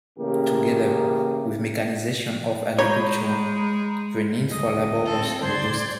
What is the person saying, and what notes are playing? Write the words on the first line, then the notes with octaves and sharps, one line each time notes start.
Together with mechanization of agriculture, the need for labor was reduced.
A1 C#3 A#3 G4
G#3 C#5 A#5 B5 G6
D2 G2 D#5
C4 A4
D2 G2 C#3 C5 D5 C6 G#6